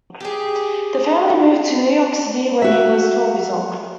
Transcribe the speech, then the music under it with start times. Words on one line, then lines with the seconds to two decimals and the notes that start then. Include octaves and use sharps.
The family moved to New York City when he was twelve years old.
0.21 G4 G#4
2.62 F#4 E5